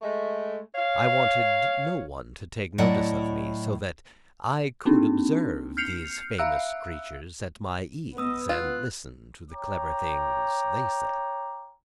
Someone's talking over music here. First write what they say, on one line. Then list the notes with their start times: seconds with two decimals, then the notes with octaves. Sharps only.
I wanted no one to take notice of me, so that I could observe these famous creatures at my ease and listen to the clever things they said.
0.02 G#3 A3
0.75 C#5 F5
2.78 A2 F#3 E4 D5 D#5 F#5
4.85 A#3 C4 D4 D#4
5.77 F6 G6 C7 C#7 F7
6.38 E5 F5 E6 F#6
8.17 B3 B4 D#5 D#6 E6
8.49 F4 F#6
9.52 C#5 G5 A#5 D6